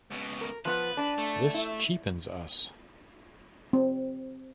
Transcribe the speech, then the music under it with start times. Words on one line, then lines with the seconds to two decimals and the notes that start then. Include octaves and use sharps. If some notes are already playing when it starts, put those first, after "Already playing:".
This cheapens us.
0.11 C#2 B2
0.41 A#4
0.65 F3 B3 B4
0.97 D4
1.18 A3
1.54 E4
3.73 C4